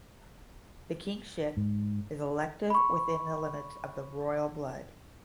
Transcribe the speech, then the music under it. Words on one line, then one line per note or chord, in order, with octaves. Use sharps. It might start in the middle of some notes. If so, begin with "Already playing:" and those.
The kingship is elective within the limits of the royal blood.
G#2
B5 C#6